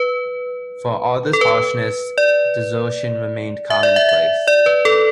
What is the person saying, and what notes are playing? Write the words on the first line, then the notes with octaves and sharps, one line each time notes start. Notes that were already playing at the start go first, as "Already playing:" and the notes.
For all this harshness, desertion remained commonplace.
Already playing: B4
A4
B4
D5
E5
D5
E5
E5
D5
B4
A4